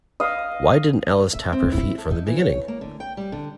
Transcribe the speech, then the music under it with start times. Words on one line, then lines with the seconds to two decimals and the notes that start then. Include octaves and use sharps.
Why didn't Alice tap her feet from the beginning?
0.20 D#5 F5
1.33 E5
1.52 C4
1.72 E4
1.98 A4
2.11 D#4
2.27 E3
2.38 C#5
2.68 A#3
2.81 D3
3.00 G5
3.17 G3
3.32 D3